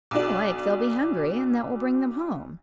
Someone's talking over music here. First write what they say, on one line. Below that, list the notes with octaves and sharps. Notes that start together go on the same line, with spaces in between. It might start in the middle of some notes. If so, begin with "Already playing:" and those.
More like they'll be hungry, and that will bring them home.
B1 D4 F#4 D6